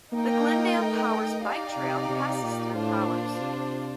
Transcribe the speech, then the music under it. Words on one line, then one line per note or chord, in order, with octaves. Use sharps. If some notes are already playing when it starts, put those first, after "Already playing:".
The Glendale-Powers Bike Trail passes through Powers.
A#3 D#4 A#4 D#5 G5
A3
D#4 G4 D5 F5
C3
C3
A#2
A2 D4 F4 C5
A#2
C3